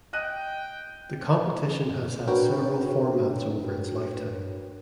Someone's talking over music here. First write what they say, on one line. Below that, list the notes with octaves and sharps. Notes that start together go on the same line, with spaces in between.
The competition has had several formats over its lifetime.
D#5 G5 F#6 D#7
D4 F#4 A#4 B4 C#5 G5